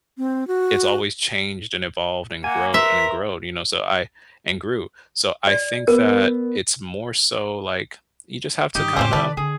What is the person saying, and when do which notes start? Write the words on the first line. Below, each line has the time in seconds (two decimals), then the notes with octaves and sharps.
It's always changed and evolved and grow and grown, you know, so I and grew so I think that it's more so, like, you just have to kinda
0.18 C4
0.47 F#4
2.44 A#3 F#5 G#5
2.74 A#4 B4 E5 C6 B6
5.47 D5
5.88 B3 A#4
8.75 G2 D#3 D#4 G4
8.97 F2 A2 C4 C#4 D#4 G#4 C5 D6
9.13 D#3 A4 B4 C#5 D5
9.37 D3 G#4